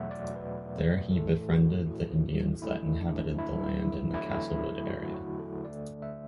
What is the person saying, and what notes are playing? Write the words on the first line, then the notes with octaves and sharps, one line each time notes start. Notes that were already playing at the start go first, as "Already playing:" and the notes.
There he befriended the Indians that inhabited the land in the Castlewood area.
Already playing: E2 B2 F#3 A3 E5 F#5
D5
B4
A2 E3 A3 A4
F#4
E4
D2 D3 A3 E4
D4
E4
E2 D3 F#3 A3 E4
F#4
F#4
A4
D2 D3 A3 D5
E5